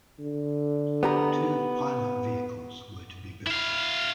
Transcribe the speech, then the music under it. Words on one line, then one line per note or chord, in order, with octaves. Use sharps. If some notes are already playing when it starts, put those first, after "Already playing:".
Two pilot vehicles were to be built.
D3
B3 G4 A#5
E4 F5